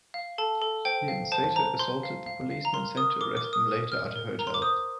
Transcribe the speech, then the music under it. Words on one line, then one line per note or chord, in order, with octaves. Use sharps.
He and Saito assaulted the policemen sent to arrest them later at a hotel.
F5
A4 A5
A4
C5 G5
F5
C5 A5
C5 A#5
C5 C6
F5
F5
F5
A#5
A#4 C6
A#4 D#6
A#4 D6
D6
A#4
D#6
A#4
A#4 F6
A#4
A#4 A#5
C6
D6
C5 D#6